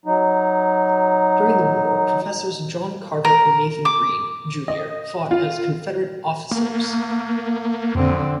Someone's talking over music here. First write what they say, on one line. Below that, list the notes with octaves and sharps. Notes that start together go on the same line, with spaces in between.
During the war, professors John Carter and Nathan Green, Junior fought as Confederate officers.
F#3 D#4
A#4
D6
D#5
F4
A#3
F2 D3 C4